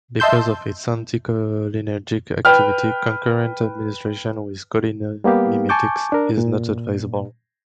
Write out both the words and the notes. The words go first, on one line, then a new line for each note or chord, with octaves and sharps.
Because of its anticholinergic activity, concurrent administration with cholinomimetics is not advisable.
D#5 E5 A5 C6 E6 G6
B4 G5 F6
G3 A#3 B3 G4 F5
G#5 A5 C#6 D6 G6
D4 A#4
A#2